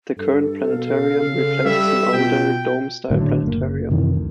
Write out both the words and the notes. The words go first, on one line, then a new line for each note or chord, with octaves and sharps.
The current planetarium replaces an older, dome-style planetarium.
G2 A4
B2 F5
C#3
G3 E5
B2 F4 G5
A2 D3 F#3
F#1 A#3
F#2 C3 D#3 E3
D2